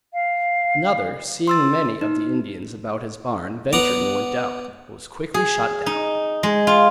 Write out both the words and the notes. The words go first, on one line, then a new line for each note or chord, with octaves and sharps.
Another, seeing many of the Indians about his barn, ventured and went out, but was quickly shot down.
F5
C6 E6 A6
D#4
B3 D5 F#5 A#5
G#4
D#4
G#3
F4